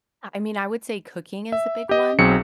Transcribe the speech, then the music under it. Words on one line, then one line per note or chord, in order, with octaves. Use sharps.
I I mean, I would say cooking is the big one
E5
G4 D#5
B1 F#3 C4 G#4 C#7